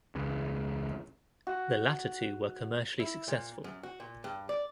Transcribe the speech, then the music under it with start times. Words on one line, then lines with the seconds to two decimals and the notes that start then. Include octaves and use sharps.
The latter two were commercially successful.
0.15 E1 C#2 C#3
1.47 F#4
3.00 E4
3.28 A#2
3.64 F#2
3.83 F#4
4.00 A#2
4.24 G2
4.49 D5